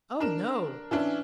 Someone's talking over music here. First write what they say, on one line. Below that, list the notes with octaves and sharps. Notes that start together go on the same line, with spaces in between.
Oh no!
D4 A#4 E7
E3 C#4 D4 E4